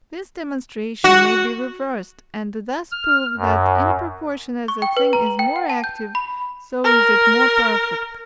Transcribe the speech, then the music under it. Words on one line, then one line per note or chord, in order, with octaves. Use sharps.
This demonstration may be reversed, and thus prove that, in proportion as a thing is more active, so is it more perfect.
F#4
F6
F#2
C#6
G5
B4
A#5
F#7
G5
F#5
A5
G6
B5
A#4